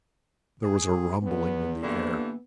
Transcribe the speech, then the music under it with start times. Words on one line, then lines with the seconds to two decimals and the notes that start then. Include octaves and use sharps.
There was a rumbling in the air.
0.63 G#4
1.23 E2 B3
1.82 G2 D3 E3 A#3 B3